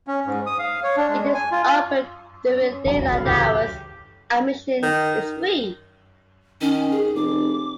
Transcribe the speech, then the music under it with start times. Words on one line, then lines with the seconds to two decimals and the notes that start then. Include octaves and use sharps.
It is open during daylight hours; admission is free.
0.07 C#4
0.26 G#2
0.46 D#6
0.59 F5
0.83 C#5
0.97 D4
1.08 G#3
1.34 G#5
1.52 F4
2.62 C#4
2.85 F1 C3 F#3 D4
2.99 E1 C2 F#4
3.12 B1 A4 B4 F5
3.26 D2 A2 C#3 E3 C#4 G4 G#4
4.83 D#3
6.61 D#3 C#4
6.91 G#4
7.15 F1 D6